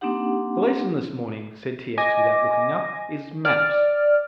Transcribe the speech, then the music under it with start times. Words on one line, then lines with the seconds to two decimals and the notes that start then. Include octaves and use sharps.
"The lesson this morning," said T. X. without looking up, "is maps."
0.01 A#3 C4 D4 D#4 G4 F#5
1.98 D#5 G#5 D6 A#6
3.45 D5 F6